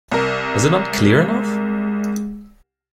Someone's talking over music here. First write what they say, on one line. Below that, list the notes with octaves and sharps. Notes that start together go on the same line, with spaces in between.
Is it not clear enough?
C2 A#4
G#3